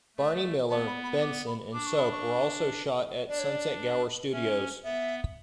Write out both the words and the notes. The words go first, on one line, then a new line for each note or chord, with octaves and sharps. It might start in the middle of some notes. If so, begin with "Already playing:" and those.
"Barney Miller", "Benson" and "Soap" were also shot at Sunset Gower Studios.
A3
B3 A5
B5
B5
D6
B5
D4 D6
C#6
B5
C#6
D4 D5
C#5
D5
C#4 E5
B3 E5